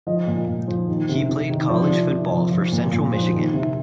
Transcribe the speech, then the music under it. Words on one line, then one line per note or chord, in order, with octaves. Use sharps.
He played college football for Central Michigan.
F3 D#5
A#2
A#2
F3
D#3
C3
C3
D#3
F3 D5
C3
C3
F3
F3
A#2
A#2
F3
D#3
C3